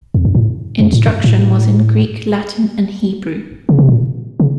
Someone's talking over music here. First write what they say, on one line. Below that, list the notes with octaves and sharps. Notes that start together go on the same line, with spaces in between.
Instruction was in Greek, Latin, and Hebrew.
F2
F#2
A2
F#2
A2
F#2
A2
C#3
C3
A#2
C#3